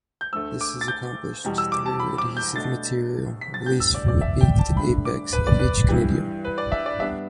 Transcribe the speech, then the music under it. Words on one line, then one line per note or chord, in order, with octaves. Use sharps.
This is accomplished through adhesive material released from the beaked apex of each conidium.
G6
D2 D3 A3 E6
D6
A6
G6
E2 B2 G3
E6
D6
A5
B5
D6
G6
B2 A3 D4 A6
B6
A6
A2 G3 B3 D4 G6
E6
D5
D5
E5
G5
A5
G2 D3 A3 D4 B5
D6
B4
D5
B4
G2 E3 G3
B4
D5
E5
D5
G2 G3 B3 D4 E5